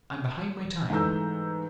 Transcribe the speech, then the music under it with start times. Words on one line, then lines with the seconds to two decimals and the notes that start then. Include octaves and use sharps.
"I am behind my time."
0.90 G#2 E3 A3 A#5 E6 G6